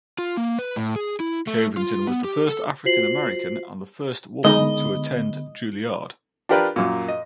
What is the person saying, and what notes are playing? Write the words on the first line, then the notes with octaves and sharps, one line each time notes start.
Covington was the first African American and the first woman to attend Juilliard.
F4
A#3
B4
A2
G#4
E4
A3
F4
B3
G4
A4
F4 F#4 C5 B6 C7 F#7
D3 G#3 B3 D#4 D#5 B5
D4 F4 G4 A#4 B4 D5
F#2 A#2
D#5